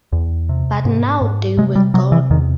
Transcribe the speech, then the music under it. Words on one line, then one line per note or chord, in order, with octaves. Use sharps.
But now they were gone.
E2
C3
G#2
G#2
C3 G#3
G3
C3 F#3
E3
E2 D#3